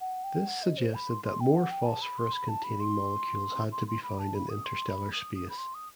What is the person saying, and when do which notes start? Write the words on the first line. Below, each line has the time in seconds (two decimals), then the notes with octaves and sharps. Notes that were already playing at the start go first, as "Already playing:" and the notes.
This suggested that more phosphorus containing molecules had to be found in interstellar space.
0.01 F#5
0.24 G5
0.47 F#5
0.63 D#5
0.78 C5
0.94 B5
1.09 C6
1.25 C6
1.40 G5
1.55 F#5
1.71 G5
1.86 A5
2.02 B5
2.18 C6
2.33 B5
2.49 A5
2.64 B5
2.80 C6
3.72 C6
3.88 C6
4.03 B5
4.19 A5
4.35 B5
4.49 D#6
4.65 C6
4.88 B5
5.12 D#6
5.35 D#6
5.49 B5
5.58 C6
5.74 D#6